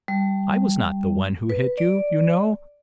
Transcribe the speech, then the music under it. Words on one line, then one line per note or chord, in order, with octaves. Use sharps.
I was not the one who hit you, you know.
G3
B4
D5